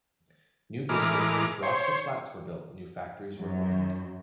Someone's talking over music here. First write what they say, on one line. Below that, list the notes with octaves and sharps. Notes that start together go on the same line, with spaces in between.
New districts with blocks of flats were built, new factories were opened.
A2 E3 G#3 A#4 D6 F6
C5 C#5
F#2